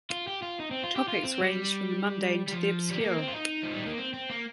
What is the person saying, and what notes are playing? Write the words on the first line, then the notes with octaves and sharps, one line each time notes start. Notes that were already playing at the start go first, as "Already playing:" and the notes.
Topics ranged from the mundane to the obscure.
F4
G4
F4
D#4
C4
F4
G4
F4
C4
G3
G3
F3
G3
A#3
C4
F4
D#4
F3
G3
A#3
C4
C4
A#3